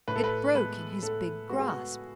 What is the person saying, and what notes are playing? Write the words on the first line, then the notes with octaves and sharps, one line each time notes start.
It broke in his big grasp.
A2 B4
A4
B4
G#3 B3 B4
A2 A4
G#3 B3 F#4
G#4
F#4